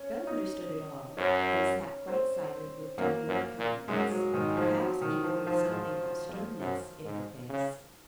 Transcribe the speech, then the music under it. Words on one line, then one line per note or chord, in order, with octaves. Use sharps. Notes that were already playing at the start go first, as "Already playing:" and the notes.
Bell understood it all, and sat quite silent, with demure countenance;--perhaps even with something of sternness in her face.
Already playing: C#4
D#4
F#2 C#4
C4
F#2 A#3
F#2
A#2
F#2 G#3
F#3
G#2 D#3
F3
F#3
D#3
F3
F3
G#2
F2
F#2
G#2
C#3